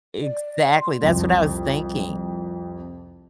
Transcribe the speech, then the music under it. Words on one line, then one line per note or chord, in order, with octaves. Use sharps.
Exactly, that's what I was thinking.
D5
C6
C2 F2